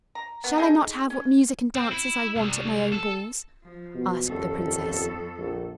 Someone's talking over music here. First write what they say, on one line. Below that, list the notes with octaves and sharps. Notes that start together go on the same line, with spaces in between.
"Shall I not have what music and dances I want at my own balls?" asked the princess.
A#5
B3
D#4 G#4 A4
C#4
C4
E4
C2
A4
F3
B2
D#1 F2 A4
A#1